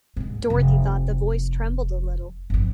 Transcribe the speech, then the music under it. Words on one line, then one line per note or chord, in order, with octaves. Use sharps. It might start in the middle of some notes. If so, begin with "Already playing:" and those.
Dorothy thought the Voice trembled a little.
D1 G#2
F1
G1 F2